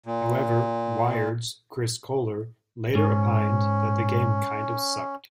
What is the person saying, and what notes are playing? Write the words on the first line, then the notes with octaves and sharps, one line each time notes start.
However, "Wired"s Chris Kohler later opined that the game "kind of sucked".
A#2
G#2 C#4